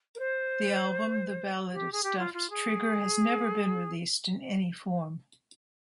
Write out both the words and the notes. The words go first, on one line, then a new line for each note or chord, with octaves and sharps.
The album "The Ballad of Stuffed Trigger" has never been released in any form.
A#4
C5
G4
G#4
G4
F4
F4
G#4